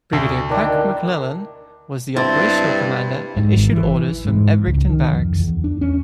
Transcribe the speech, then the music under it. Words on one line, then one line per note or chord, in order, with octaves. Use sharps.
Brigadier Pat MacLellan was the operational commander and issued orders from Ebrington Barracks.
D2
D#3 D4 E4
G2 C4 E4 A5
G#2
G#1
E3
G#2
C#2
D#3
F2
E2
D4
C#4